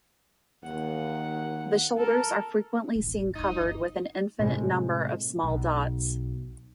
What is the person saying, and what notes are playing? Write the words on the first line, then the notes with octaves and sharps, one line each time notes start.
The shoulders are frequently seen covered with an infinite number of small dots.
D#2 F#5
A4 A#4
E1 A1
D#1 A3 D#4
G1
A2 C3 G#3
B1